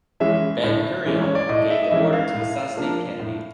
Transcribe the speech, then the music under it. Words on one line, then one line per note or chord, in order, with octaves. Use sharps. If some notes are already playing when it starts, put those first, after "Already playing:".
Ben-Gurion gave the order to assassinate Kennedy.
E3 G#3 C#4 E5
A2
E3 G#3 C#4
C#5
D5
A2 D#5
E5
D#5
E3 G#3 C#4 E5
E5
F5
A2
F3 A#3 D4
A2